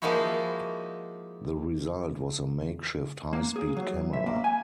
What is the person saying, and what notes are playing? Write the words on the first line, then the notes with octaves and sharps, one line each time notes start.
The result was a makeshift high-speed camera.
F3 G#3 A#3 D#4 E4 F#4
A#3
G#4
F#3
E5
A#3
G#5